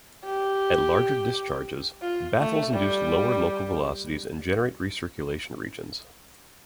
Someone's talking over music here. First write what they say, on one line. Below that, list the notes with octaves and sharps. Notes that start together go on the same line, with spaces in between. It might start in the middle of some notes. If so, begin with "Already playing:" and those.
At larger discharges, baffles induce lower local velocities and generate recirculation regions.
G4
F4
A3
G3